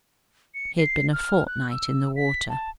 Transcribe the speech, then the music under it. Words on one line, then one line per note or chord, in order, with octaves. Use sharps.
He had been a fortnight in the water.
C#7
C7
F6
F#6
E6
B6
A5